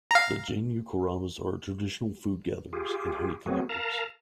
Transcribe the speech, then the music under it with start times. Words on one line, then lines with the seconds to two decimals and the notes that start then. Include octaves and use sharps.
The Jenu Kurubas are traditional food gatherers and honey collectors.
0.11 F5 A#5
2.73 F4 G4 G#4
3.46 F#3 A3 B3 C4 F#4 G#4
3.69 A#4 F5 A5 A#5